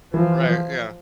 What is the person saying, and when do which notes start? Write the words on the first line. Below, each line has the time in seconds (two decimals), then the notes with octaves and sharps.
Right, yeah.
0.14 E3 F3